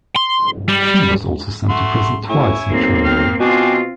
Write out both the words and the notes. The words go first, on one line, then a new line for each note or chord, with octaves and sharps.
She was also sent to prison twice in Germany.
C6
G3
A3 F#4 C6
A2 E4 C#5 G#5
B1 A#3 C4
G4 F6
B2 C4 D4 F4 G4 G#5